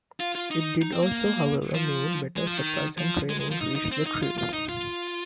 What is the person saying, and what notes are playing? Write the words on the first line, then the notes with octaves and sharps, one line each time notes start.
It did also, however, mean better supplies and training reached the crew.
F4
F4
D#4
D#4
C4
A#3
F3
G#3
F3
D#3
F3
G#3
G#3
F3
D#4
D#4
C4
D#4
F4
F4
D#4
F4